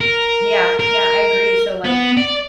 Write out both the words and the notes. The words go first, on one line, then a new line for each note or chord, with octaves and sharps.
Yeah, yeah, I agree. So, like,
A#4
A#4
B3
D5